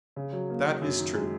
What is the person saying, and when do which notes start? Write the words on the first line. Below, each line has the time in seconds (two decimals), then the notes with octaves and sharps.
That is true.
0.16 C#3
0.33 F#3
0.50 A#3
0.65 D#4
0.81 F#2
0.99 D#3
1.15 G#3